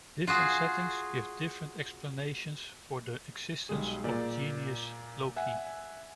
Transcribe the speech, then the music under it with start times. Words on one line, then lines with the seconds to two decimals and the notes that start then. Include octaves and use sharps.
Different settings give different explanations for the existence of genius loci.
0.27 F4 F#4 G#4
3.69 B1 G3 G#3 G#4
4.04 A#2 D5
5.36 E5 F#5 G#5